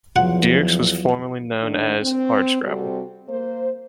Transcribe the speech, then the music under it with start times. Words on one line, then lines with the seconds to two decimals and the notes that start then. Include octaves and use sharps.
Dierks was formerly known as "Hardscrabble".
0.16 E2 F3 F#3 F4 F#5
1.61 D#3 A3 D4
2.01 C4
2.63 C3 G3 C4 F#4 A4
3.28 A#3 C5